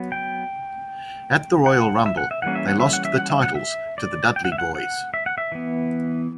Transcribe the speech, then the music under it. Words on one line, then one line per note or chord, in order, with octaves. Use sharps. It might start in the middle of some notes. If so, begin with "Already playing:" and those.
At the Royal Rumble, they lost the titles to the Dudley Boyz.
Already playing: F#3 B3
G5
F#5
E5
F#5
E5
E3 G3 A#3 C#4 F#5
E5
F#5
E5
F#5
E5
F#5
E5
F#5
E5
D5
G5
F#5
E5
F#5
F#5
E5
F#5
E5
E3 B3